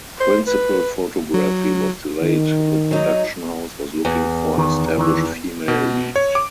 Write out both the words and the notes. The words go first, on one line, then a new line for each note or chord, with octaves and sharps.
Principal photography was delayed the production house was looking for established female lead.
C5
B4
F#3
D#3
F#3 D#4
E2
D#3
D#3 E3
B2
C#5
D6